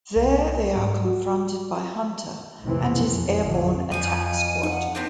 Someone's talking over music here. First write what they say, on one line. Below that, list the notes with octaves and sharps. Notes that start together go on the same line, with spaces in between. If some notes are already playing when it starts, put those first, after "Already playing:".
There, they are confronted by Hunter and his airborne attack squad.
C2
G#2
F#4
B1 F2 A2 C3 E3 C4
F2
A1 F2 D3 F#3
F2 F3 G#5 D#7
D#4 F#5
B3 C4 D4